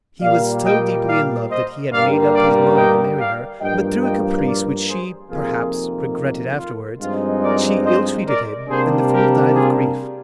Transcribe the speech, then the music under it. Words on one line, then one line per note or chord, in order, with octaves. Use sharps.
He was so deeply in love that he had made up his mind to marry her; but through a caprice which she, perhaps, regretted afterwards, she ill-treated him, and the fool died of grief.
A#2 G3 A#3 D5 F5
D#5 G5
D5 F5
C5 D#5
G2 D3 G3 A#3 D5 F5
D5 F5
D#5 G5
D5 F5
G2 F3 A#3 D#5 G5
D#5 G5
D5 F5
G#4 C5
F2 C3 D#3 A#3 F4 G#4
F4
G2 F3 G#3 C4 D#4 F4
A#4 D5
C5 D#5
A#4 D5
C3 G3 A#3 D4 G#4 C5
G4 A#4
F4 G#4